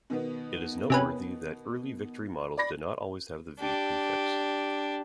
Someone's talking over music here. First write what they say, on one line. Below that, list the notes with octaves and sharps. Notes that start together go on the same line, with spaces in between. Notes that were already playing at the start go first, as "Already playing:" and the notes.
It is noteworthy that early Victory Models did not always have the V prefix.
B2 D#3 B3
C3 C#4 B4
D5 B5 A#6
D4 G4